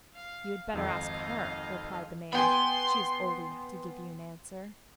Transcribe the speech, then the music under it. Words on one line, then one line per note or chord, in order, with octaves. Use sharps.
'You had better ask her,' replied the man, 'she is old enough to give you an answer.'
F5
G#1 F2 D#4 F5
B3 G5 G#5 B5 C6